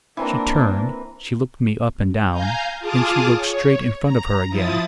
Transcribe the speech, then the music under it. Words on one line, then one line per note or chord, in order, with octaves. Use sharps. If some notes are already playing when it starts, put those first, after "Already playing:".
She turned, she looked me up and down, then she looked straight in front of her again.
E3 A#3 C4 D4 A#4
F5 G#5 A#5 G6
F4 G#4 A5 D6 D#6 F6
C#5
A#5
F3 E4 D#6 A6